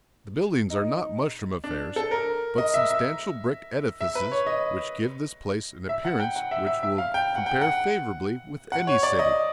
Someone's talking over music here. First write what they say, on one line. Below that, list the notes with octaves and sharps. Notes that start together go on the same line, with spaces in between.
The buildings are not mushroom affairs, but substantial brick edifices which give this place an appearance which will compare favorably with any city.
D#4
D4
A4
A#4
D#5
E5
E5
E5
B4
C#5
D#5
E5
F#5
G5
F#5
E5
E5
E5
F5
G5
F#5
G5
F#5
F#5
C#5
D5
D#5